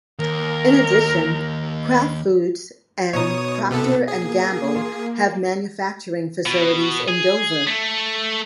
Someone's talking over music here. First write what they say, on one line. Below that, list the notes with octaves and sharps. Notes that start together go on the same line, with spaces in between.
In addition, Kraft Foods and Procter and Gamble have manufacturing facilities in Dover.
D#2 A#4
B2 D#4 C#5 D#6
C3 B3 A4
A#3 G#4
F4
B2
G#4
A3